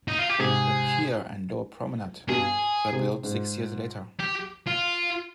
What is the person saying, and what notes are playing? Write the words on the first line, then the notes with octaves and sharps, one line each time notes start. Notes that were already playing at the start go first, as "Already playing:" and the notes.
The pier and lower promenade were built six years later.
D#4
F4
G4
G#2 C3 G#4
G2 B2 G#4
G#2 C3
G#2
G4
F4